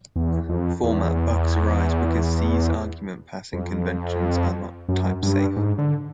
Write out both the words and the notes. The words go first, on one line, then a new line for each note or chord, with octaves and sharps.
Format bugs arise because C's argument passing conventions are not type-safe.
E2
F2
E2
F2
F#2
G2
G#2
D3